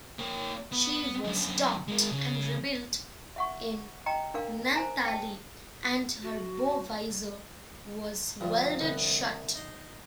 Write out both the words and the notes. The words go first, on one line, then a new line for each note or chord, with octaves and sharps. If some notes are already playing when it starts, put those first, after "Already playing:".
She was docked and rebuilt in Naantali and her bow visor was welded shut.
A#3 C#5
B3
F#2 D3
G#3 A#4
C#3
E5 F#5 C#6
D#5 G5 A#5
D4 A#4 F5
C5 G#5 A#5
G5 A5
F#4
D2 G2 F3 F4
C2 D3 D4 B4
D#4 C6